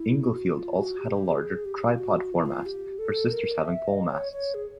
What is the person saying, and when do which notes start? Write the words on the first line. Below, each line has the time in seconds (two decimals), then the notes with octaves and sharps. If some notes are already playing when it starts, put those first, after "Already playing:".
"Inglefield" also had a larger tripod foremast, her sisters having pole masts.
Already playing: E4
0.32 F#4
0.55 F4
0.77 F#4
0.99 G4
1.32 G#4
1.65 G4
1.94 F4
1.98 F#4
2.32 F4
2.39 E4
2.46 F4
2.66 G4
2.98 A4
3.32 A#4
3.59 D#5
3.65 E5
3.88 D#5
4.10 C#5
4.32 C#5
4.54 G#4